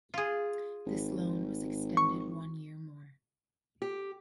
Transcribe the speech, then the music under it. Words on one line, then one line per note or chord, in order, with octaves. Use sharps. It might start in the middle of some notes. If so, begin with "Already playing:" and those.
This loan was extended one year more.
F4 G#4
G#1
C#6
G4